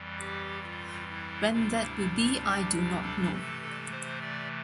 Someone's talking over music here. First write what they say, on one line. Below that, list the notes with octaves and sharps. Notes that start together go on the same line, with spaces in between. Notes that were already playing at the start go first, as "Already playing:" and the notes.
When that will be I do not know.
Already playing: F2 E3 G3
G4
F4
E4
D2 C3 G3 D4 F4
E4
F4
G4
G4
A4
C3 E3 A3 A4
A4
C5
D5